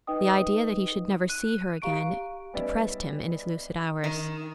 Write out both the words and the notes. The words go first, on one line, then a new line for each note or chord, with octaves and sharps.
The idea that he should never see her again depressed him in his lucid hours.
D#4 B4 D#5 G5 D#6
F#6 D#7
G4 F5 A#5 C#6 D7
G3 B3 C#4 D#4 D5 E5
D#3